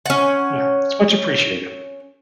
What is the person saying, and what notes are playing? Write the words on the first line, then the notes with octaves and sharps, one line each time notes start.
Yeah, it's much appreciated.
C#4 F#5